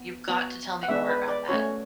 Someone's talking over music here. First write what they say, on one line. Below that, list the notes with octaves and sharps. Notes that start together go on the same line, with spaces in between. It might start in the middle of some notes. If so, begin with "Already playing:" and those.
You've got to tell me more about that.
Already playing: B3
B3 F#4
F#5
G#3 B3 D4 E5
B4
D5
A3 C#4 F#4 C#5